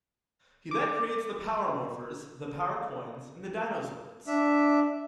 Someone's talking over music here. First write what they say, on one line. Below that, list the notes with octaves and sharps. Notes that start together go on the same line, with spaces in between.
He then creates the Power Morphers, the Power Coins and the Dinozords.
D6
D4 E5